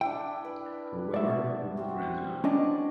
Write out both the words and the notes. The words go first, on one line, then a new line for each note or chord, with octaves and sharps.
However, we’ll be friends now.
D4 E4 G5
B4
F#4 D5 E5
C4 F#4
C#4 D4 D5 D#5 A5 C#6